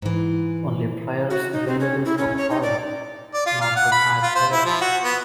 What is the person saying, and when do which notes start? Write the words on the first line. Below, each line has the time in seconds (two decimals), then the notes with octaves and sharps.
Only players available for call-up, not retired players.
0.02 G#2 E3
1.30 F#4
1.53 D#4
1.67 C4
1.80 C#4
2.05 E4
2.18 C#4
2.37 C#5
2.50 D#4
2.63 D5
3.34 D5
3.46 F4
3.61 F5
3.76 F#5
3.92 B5
4.23 F4
4.35 C5
4.52 E4
4.65 F3
4.81 F#4
5.04 B3